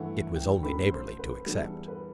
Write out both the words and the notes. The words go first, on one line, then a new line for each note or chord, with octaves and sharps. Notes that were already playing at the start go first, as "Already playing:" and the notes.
It was only neighbourly to accept.
Already playing: G2 E3 A3 F#5
G5
F#2 D3 A3 B5
C5
B4
E2 D3 G3 A4
B4